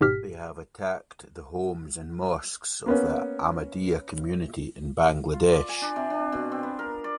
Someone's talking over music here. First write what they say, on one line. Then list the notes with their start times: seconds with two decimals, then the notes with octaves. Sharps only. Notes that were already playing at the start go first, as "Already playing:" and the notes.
They have attacked the homes and mosques of the Ahmadiyya community in Bangladesh.
0.01 G#1 G#2 B2 G4 F6 B6
2.86 A#3 B3 C#4
5.34 F4
5.52 D5
5.68 G#5
5.82 D4
5.96 C3
6.10 D4
6.32 B2
6.52 C4
6.63 B3
6.79 A#4
7.04 D5